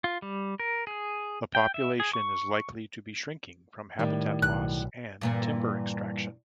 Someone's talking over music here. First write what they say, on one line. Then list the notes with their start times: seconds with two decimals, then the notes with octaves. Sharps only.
The population is likely to be shrinking from habitat loss and timber extraction.
0.04 F4
0.22 G3
0.60 A#4
0.87 G#4
1.55 G5
1.74 E5
2.00 G#4
2.13 C#6
3.99 A2 D#3 G3
4.42 B1 F#6
5.21 G2 A#2 E3